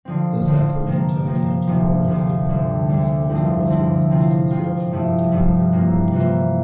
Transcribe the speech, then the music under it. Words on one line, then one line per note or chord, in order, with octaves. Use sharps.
The Sacramento County Board of Supervisors also authorized the construction of a temporary bridge.
D3 F3 C4
D3 F3 C4
C3 F3 A#3
C3 F3 A#3
D2 C3 F3
D2 C3 F3
D2 D3 G3
D2 D3 G3
D3 F3 C4 E4
D3 F3 C4 E4
C3 F3 C4 F4
C3 F3 C4 F4
G2 F3 A3 E4
G2 F3 A3 E4
C3 E3 A#3 F4
C3 E3 A#3 F4